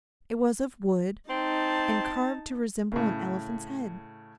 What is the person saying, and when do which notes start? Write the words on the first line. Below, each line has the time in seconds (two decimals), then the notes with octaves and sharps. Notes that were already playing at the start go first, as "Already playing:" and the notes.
It was of wood and carved to resemble an elephant's head.
1.30 C4 D#4 A5
2.92 A2 C#3